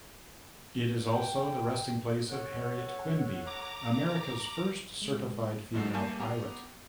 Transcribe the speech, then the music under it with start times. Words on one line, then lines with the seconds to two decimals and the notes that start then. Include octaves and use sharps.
It is also the resting place of Harriet Quimby, America's first certified female pilot.
1.10 G5
2.28 A4 C#5 F#5
3.46 A#5 D6
5.02 G#3
5.74 A#1 F#2 D#4 F#4 A4 C7
5.93 G3 A3 A#3 G#5 A5 G6
6.20 B3 G4 A#5